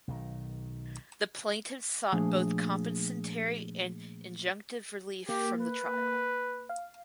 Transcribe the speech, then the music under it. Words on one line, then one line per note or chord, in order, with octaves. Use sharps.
The plaintiffs sought both compensatory and injunctive relief from the trial.
B1 D#3
A#2 F3 A3 D4 G#4 G#5
A#3 G4
B4
F5